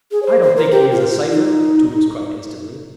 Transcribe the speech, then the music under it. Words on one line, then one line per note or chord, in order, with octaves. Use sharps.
"I don't think he is a cypher," Tootles cried instantly.
G#4
C#5
C5
C5
A#4
G4
F4
F4
D#4